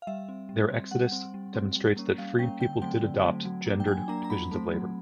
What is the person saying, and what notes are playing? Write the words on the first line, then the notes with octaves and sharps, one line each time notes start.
Their exodus demonstrates that freedpeople did adopt gendered divisions of labor.
F5
G3 E5
C4
G3
C4
G3 F#5
C4
G3
C4
G3
A#3 C#4
G3 F5
A#3 C#4 G5
D3 G5
F#3 A3 C4 G5
D3
F#3 A3 C4
F#3
A#3 D4
G5
F#3 G#5
A#3 D4 A#5
A#5
F#3 B5
A3 C4
F#3